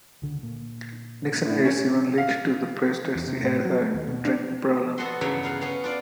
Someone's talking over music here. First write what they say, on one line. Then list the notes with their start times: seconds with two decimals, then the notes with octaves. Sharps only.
Nixon aides even leaked to the press that she had a "drinking problem".
0.22 C#2 D3
0.43 A#2
1.45 A2
1.65 C#4
2.18 F5
3.15 E2
3.27 C3
3.43 A2
3.65 F#3
3.80 A3
3.94 D#2
4.07 B2
4.25 D4
4.98 B3 F#4 A4 D#5 F#5 C6
5.21 E2 G2 C#3 F#3 C#5 E5
5.43 F4 F5 F#5
5.61 B3 C#4 F5
5.84 D4 F4 D5